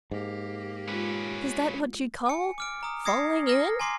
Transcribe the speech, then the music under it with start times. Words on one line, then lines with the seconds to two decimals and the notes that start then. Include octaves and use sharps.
"Is that what you call FALLING IN?"
0.11 G#2 A#3 G4
0.88 G#3 C#4 F4 B4
2.26 G#5 C#7
2.58 D6 F6 D7
2.83 A#5 D#6
3.05 D#6 G#6 A#6 C7 C#7
3.47 F6 A#6
3.79 G#5 A#5 C6 D6 C7